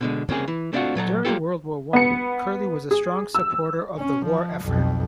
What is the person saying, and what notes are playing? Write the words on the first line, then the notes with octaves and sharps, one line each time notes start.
During World War One, Curley was a strong supporter of the war effort.
B2 D3 G#3
C2 C#3 A#3 C4 G#4
E3
A3 C4 D4 D#4 F4 F#4
A#2 F#3 A4 A#5
F#3 A#3 C#4 F4 G4 A4
B3 C#7
G#4
E6
C#4
F3
B1 F2